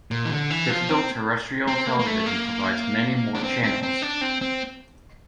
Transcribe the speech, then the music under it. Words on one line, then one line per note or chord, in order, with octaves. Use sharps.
Digital Terrestrial Television provides many more channels.
A#2
E3
D3
E3
F3
C4
C4
A#3
A#3
A3
A#3
D4
C4
C4
C4
D4
C4
C4